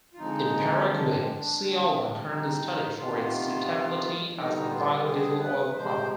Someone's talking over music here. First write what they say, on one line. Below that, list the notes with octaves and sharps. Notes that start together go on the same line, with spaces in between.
In Paraguay, "C. alba" currently studied for its suitability as a biodiesel oil crop.
F4
D3 F3 G#3 C4 D#4
D4
D3 G3 C4
D#4
C3 D#3 B3 F4
D3 G3 B3 D#4
F4
G#4
B4
C3 F3 G#3 C5